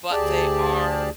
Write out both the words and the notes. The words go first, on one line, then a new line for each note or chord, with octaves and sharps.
but they are
D2 G4 G#4 D5 A5